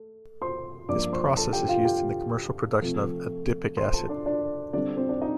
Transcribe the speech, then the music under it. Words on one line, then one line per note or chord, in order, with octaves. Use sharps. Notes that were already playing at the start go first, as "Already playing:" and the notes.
This process is used in the commercial production of adipic acid.
Already playing: A3
C5 C6
G2 F3 A#3 D5 D6
C5 C6
A4 A5
G4 G5
F4 F5
G4 G5
C3 F3 A3
C5 C6
A4 A5
D4 D5
D4 D5
D3 G3 C4 D4 D5
C4 C5
D4 D5
D#4 D#5